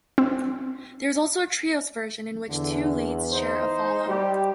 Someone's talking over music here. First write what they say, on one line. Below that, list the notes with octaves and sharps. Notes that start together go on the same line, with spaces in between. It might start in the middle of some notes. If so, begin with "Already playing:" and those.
There is also a Trios version in which two leads share a follow.
C4
E2 D3
D#4 C5
G3 G4